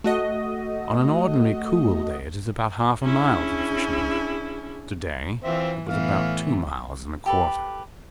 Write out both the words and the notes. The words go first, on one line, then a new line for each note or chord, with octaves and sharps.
On an ordinary cool day it is about half a mile to the fishmonger; to-day it was about two miles and a quarter.
A3 F#4 D#5
C#4 D4 E4 G#4
E3 C4 F4 E5
A2 E3 B3 F5
G4 A4 B4